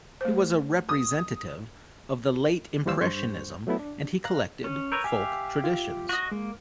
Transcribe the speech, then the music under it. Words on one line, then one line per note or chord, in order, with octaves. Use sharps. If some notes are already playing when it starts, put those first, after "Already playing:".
He was a representative of the Late-Impressionism and he collected folk traditions.
A3 C5
D#6
D#2 E3 G3 C5 F5 E6
G2 C5 C#6 G6
F#3 A3 B3 E4
D4
F5 A#5 F#6
C#4
A#4 B4 C#5 E6 G6
G4 E5 F5 G#5
F4
F#4 D#5
G#3 A#3